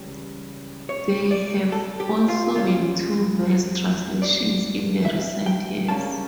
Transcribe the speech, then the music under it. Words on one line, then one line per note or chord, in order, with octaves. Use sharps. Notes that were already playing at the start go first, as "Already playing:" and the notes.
There have also been two verse translations in recent years.
Already playing: C#2 C#3 E3 G3
C#5
D5
A4
G4
F4
E2 E3 G3 C#4 F4
D5
E5
G5
C#3 G3 A#3 C#4 A5